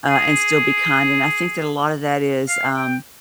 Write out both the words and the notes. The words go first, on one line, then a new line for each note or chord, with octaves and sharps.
uh, and still be kind and I think that a lotta that is, um,
G#4
F5
G5